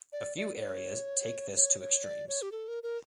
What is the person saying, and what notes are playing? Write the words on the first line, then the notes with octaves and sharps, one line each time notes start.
A few areas take this to extremes.
D5
D5
D5
C#5
C#5
C#5
D5
C#5
G4
A4
A#4
A#4